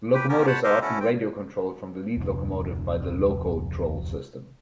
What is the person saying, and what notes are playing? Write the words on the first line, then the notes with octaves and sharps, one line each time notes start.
The locomotives are often radio controlled from the lead locomotive by the Locotrol system.
G4 B4 G5
A#3 B3 C#4 G4 A#4
C5 C#5 F#5 A5 B5
G4 A4 A#4 C5 D#5 F5
C#4 E4 F#4 A4
C4 G5
D1 F2 C3 D4